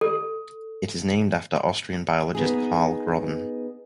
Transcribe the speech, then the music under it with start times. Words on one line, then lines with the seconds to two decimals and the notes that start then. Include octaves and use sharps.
It is named after Austrian biologist Karl Grobben.
0.01 A4
2.35 B3 D#4 G#4